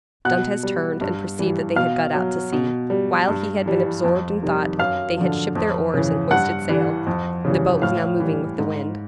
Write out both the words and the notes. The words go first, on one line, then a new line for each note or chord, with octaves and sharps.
Dantes turned and perceived that they had got out to sea. While he had been absorbed in thought, they had shipped their oars and hoisted sail; the boat was now moving with the wind.
B2 F#5 F#6
G3
G2
E3 G3
B2 F5 F6
F#3
B2
G3
G2
E3 G3
F2
C3 D#3 G3
F#2 F5 F6
D3 F3
F2
C#3 E3
G2 F#5 F#6
E3 G3
F2
C#3 E3 G3
A2 F5 F6
E3 G3
G#2